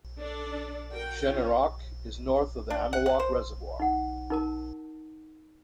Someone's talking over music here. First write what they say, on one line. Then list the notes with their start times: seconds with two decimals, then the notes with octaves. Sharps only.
Shenorock is north of the Amawalk Reservoir.
0.19 D4 A4 D5
0.90 F#4 A#4 G5
1.24 C#4 F4
2.70 D4
2.93 F#5
3.06 F#5
3.20 C5
3.80 D#4 F#5
4.30 D#4 A#4 A5